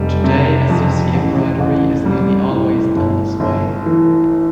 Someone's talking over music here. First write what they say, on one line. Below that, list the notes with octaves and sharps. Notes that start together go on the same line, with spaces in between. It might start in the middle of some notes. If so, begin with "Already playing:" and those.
Today Assisi embroidery is nearly always done this way.
Already playing: F1 G3
C3
F2
A1
A1
G3
A2
G1
G1
E3